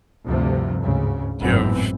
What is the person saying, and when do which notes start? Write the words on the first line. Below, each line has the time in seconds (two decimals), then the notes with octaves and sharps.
do you have
0.24 D2 G2 C3 F3 A3
0.80 D2 G#2 C#3
1.39 G#1 F#2 A2 E3 B3 C4